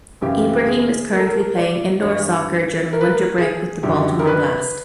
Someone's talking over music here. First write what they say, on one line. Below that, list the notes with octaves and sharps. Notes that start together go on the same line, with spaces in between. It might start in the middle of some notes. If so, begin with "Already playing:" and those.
Ibrahim is currently playing indoor soccer during the winter break with the Baltimore Blast.
F#2 C#3 E3 G4
G#4
A#4
A4
A#4
D5
G2 E3 C#5
A#4
B4
A#4
G#4
F#2 D3 F#3 G4
A#4
B4